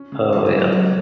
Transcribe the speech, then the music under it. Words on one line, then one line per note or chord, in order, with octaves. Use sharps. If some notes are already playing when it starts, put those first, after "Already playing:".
Oh, yeah.
Already playing: C#4
C#3
E3 F#3
E3
C#3
F#3
F#3 G#3